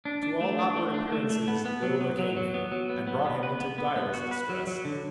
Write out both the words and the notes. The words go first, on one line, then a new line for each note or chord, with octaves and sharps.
To all outward appearances they overcame Him and brought Him into direst distress.
D4
D4
A3
D4
A3
D4
A3
A3
B3
B3
F#3
B3
F#3
F#3
B3
F#3
B3
B3
B3
B4
B3
B3
B3
F#4
B4
F#3
F#3
D3